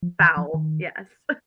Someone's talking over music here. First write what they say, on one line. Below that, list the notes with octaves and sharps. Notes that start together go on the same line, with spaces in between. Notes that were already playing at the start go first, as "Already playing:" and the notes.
Foul, yes.
F3
D#3
F3
D#3